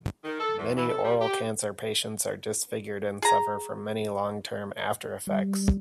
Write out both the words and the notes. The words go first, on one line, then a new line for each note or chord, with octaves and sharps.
Many oral cancer patients are disfigured and suffer from many long term after effects.
D#3
A4
E2
E3
A4
G3
G4
G#4 A#5
G3